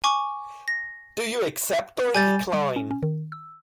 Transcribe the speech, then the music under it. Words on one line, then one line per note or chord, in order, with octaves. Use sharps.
Do you accept or decline?
G#5 C#6 D6
A#6
G3 G#5 G6 A6
G3
C#4
C#4
D#3
E6